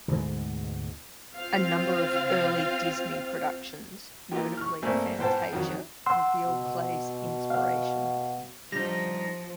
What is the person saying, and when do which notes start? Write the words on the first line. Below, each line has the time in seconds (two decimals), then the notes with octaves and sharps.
A number of early Disney productions, notably "Fantasia", reveal Kley's inspiration.
0.08 D2 G#2 B2 G#3
1.35 C4 F4 F5
4.32 E3 A#3 D#4 F4 G4
4.57 C#6 F6
4.82 G2 A3 A#3 C4 D4 G#5
5.18 G#2 B3 C5 G5 A5
5.52 F2 D#3 F#3
6.06 F#5 C6 E6
6.44 B2
7.50 F5 F#5
8.72 F3 G3 D4 D#4 G4 A#6